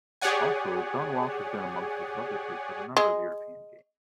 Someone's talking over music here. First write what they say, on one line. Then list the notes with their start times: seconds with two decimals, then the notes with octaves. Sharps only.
Also, John Welsh has been amongst the substitutes for a number of European games.
0.21 G4 G#4 C#5 D5 F#5 G#5
2.97 G#3